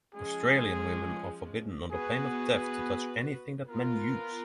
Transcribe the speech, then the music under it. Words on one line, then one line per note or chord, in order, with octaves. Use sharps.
Australian women are forbidden under pain of death to touch anything that men use.
F3 G#3 C#4 G#4
B3 F#4 G#4 B4
B3 F4 A#4 B4